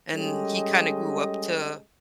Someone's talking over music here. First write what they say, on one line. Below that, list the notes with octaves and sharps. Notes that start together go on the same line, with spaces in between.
and he kinda grew up to,
G3 G#3 C#4 G4 A4 D#5